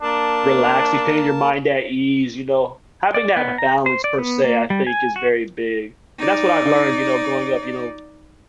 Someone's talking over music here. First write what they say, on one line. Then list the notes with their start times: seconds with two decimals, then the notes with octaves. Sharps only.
relaxing, putting your mind at ease, you know. Having that balance, per se, I think is very big, and that's what I've learned, you know, growing up, you know,
0.02 A#3 D4 A#4 A5
3.14 D5
3.37 B3
3.58 A#5
3.86 C5
4.04 D5
4.19 B3
4.44 A#3
4.70 G3
4.87 G#5
5.16 F#4
6.18 D#4 D5